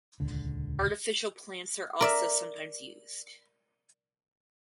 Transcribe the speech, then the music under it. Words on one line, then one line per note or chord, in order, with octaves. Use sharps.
Artificial plants are also sometimes used.
D#1 C#2 D3
A#4 D5 E5